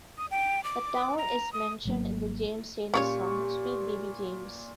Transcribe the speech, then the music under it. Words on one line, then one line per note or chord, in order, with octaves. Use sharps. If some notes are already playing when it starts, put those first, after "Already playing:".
The town is mentioned in the James Taylor song "Sweet Baby James".
D#6
G5
D6
A#5
D#6
G#1 F#3 A#3
A#2 C#4 F4 G4 C#5 C#6